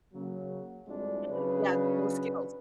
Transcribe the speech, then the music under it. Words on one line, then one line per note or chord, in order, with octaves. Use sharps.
Mm, yeah, no skills.
C#3 F#3 A#3
F2 G3 G#3 D4 E4 F#4
C#3 F#3 C#4 D4 B4